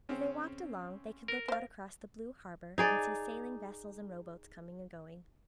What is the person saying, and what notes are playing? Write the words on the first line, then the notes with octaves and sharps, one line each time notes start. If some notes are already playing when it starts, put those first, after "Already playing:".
As they walked along they could look out across the blue harbor, and see sailing vessels and rowboats coming and going.
C#3 C4 C#4
A#4
C5 F5
D#4 G#4 D5